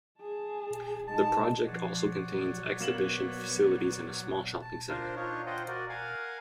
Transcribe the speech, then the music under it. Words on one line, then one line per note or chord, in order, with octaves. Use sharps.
The project also contains exhibition facilities and a small shopping center.
G#4 A5
G#3 D#4 A5
F3 C#5 D5 F#5
F#3
A#3 B3 E7 F#7
A5
D4 F4 A#4 C5
D4 D#4 F4 C#5
F4 C5 D#5 F#5 G5
F#4 A#4 D5
A#4 F5 F#5 G#5